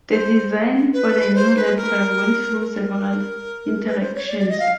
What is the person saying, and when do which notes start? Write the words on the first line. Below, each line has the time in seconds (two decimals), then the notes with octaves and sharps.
The design for the new library went through several iterations.
0.09 C5
0.93 B4
1.35 C5
1.56 B4
1.77 A#4
2.61 A#4
3.86 B4
4.00 C5
4.14 C#5
4.28 D5
4.39 D5
4.49 D#5
4.60 F5